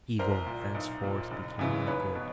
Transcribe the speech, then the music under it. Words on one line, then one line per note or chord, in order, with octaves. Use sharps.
Evil thenceforth became my good.
C2 A#4 C5
A#2
B1
A#2
F#1
F#2 C#3 E3
F1 B4 C#5
B2